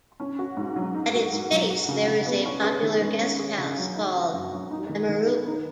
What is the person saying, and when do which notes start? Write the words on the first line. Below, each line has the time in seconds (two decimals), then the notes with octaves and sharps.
At its base there is a popular guest house called Memurubu.
0.20 C#4
0.39 F#4
0.57 G#2
0.76 F#3
0.94 D#4
1.14 F#4
1.33 G#2
1.51 F#3
1.70 F#4
1.88 C#3
2.07 C#3
2.26 B3
2.46 C#4
2.64 G#4
2.83 D#3
3.02 G#3
3.20 C#4
3.39 G#4
3.58 C#3
3.77 F#3
3.95 D#4
4.14 F#4
4.33 F#2
4.53 F#3
4.71 D#4
4.89 D#3
5.09 D#3
5.27 B3
5.46 D#4